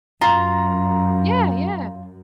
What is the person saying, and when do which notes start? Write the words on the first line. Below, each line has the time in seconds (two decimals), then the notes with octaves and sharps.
Yeah, yeah.
0.21 F#2 F4 A#5